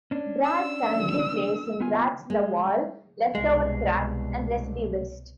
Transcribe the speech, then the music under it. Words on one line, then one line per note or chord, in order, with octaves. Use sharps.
Brad currently plays in Rats In The Wall, Leftover Crack, and Recidivist.
C#4 D4
E6
D4
B3 F4 G#5
G#3
C2 B2 G#3